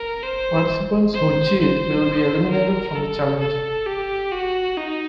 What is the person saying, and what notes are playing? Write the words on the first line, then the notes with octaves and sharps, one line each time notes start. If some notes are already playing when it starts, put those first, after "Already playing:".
Participants who cheat will be eliminated from the challenge.
Already playing: A#4
C5
C5
C5
A#4
A4
A4
G4
F#4
D#4